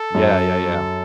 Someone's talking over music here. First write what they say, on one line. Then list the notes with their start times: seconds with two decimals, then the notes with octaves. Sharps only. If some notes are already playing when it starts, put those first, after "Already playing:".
Yeah, yeah, yeah.
Already playing: A4
0.15 F#2